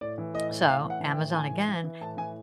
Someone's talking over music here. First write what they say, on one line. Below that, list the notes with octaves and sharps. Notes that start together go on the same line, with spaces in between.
So, Amazon again.
A2 D5
E3
A2 D#5
A2
A2 F5
E3
F#5
E3
G5
A2
E3 G#5
E3
E3
E3
A2 A5
E3 G#5